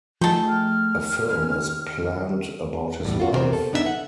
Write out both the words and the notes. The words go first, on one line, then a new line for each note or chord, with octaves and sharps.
A film is planned about his life.
F3 A3 D#4 G#4 G5 A5
F6
D#2 C#4
E2 A2 G3
F4 F#4
E2 C3 D#4 F#4 A#4 C5
A4
F#2 B3 D4 D#4 G#4 E5
F#5